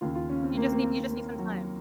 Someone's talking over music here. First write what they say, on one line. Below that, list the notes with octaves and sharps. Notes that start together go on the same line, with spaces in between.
You just need you just need some time.
D#2 C#3 F4
F4
C#4
C4
A#3
C4
A#3
C4
C4
A#3
F#3